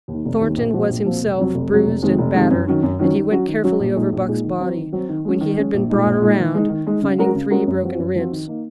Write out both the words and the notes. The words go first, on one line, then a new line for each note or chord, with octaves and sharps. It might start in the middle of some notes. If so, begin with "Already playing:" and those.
Thornton was himself bruised and battered, and he went carefully over Buck's body, when he had been brought around, finding three broken ribs.
D#2
D#3
F1
D#2 D#3
A#1
A#2 F3 C4 F#4
A#1
A#2 F3 C4 F#4
F1
F2 C3 F#3
F1
F2 C3 F#3
F1
F2 C3 D#3 G#3
F1
F2 C3 D#3 G#3
F#2
D#3 F#3 C#4
F#2
D#3 F#3 C#4
D#3
F#3 C#4 F#4
D#3
F#3 C#4 F#4
A#1
A#2 G#3 D#4 G#4
A#1
A#2 G#3 D#4 G#4
D#3
F#3 C4
D#3
F#3 C4
D#3
G#3 C#4
D#3
G#3 C#4
A#1
A#2 G#3 D#4
A#1
A#2 G#3 D#4
D#3
G#3 D#4
D#3
G#3 D#4
C#3
G#3 C#4 F#4 A#4
C#3
G#3 C#4 F#4 A#4
F#2
F3 C4 F#4
F#2
F3 C4 F#4
D#3
A#3 D#4